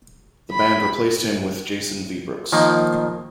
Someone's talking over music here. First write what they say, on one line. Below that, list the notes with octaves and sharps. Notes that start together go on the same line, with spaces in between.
The band replaced him with Jason Viebrooks.
B5
D#3 F3 A#3 D#5